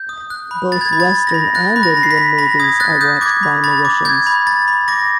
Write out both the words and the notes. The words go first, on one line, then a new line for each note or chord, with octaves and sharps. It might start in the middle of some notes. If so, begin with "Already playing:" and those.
Both Western and Indian movies are watched by Mauritians.
Already playing: G6
D#6
F#6
B5
B5 A6
G#6
A6
B5
A6
B5
A#6
B5
F#6 A6
B5
A#6
B5
C7
B6
B5
B5 A#6
D#6 G#6
F#6 A6
D#6 G6
D6 G#6
B5
B5 A6
D6
G6 G#6
B5
B5 A6
B5
D6 A#6